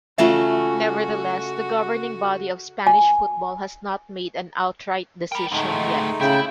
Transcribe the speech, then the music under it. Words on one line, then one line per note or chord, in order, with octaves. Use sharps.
Nevertheless, the governing body of Spanish football has not made an outright decision yet.
C#3 A3 C#4 F4 F#4 E5
G#5
A#4 G5 B5
D2 A2 G#3 A3 D#4
C#3 E4 G5